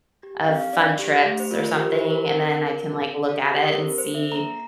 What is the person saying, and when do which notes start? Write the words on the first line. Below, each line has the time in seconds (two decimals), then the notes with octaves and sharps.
of fun trips, or something, and then I can, like, look at it and see,
0.23 G4
0.40 F5
0.48 C4
0.57 F5
0.73 D4 D5
0.99 G4
1.25 A3
1.40 C5
1.51 F4 A#4
1.64 C5
1.76 G4 A#4
1.93 C5
2.01 E4
2.11 A#4
2.27 C4 A#4
2.52 C4
2.79 C4
3.04 A4
3.29 G4 A4
3.46 A4
3.54 G4
3.64 A#4
3.81 C4 C5
3.98 C5
4.06 A4
4.15 E5
4.32 A#3 A#5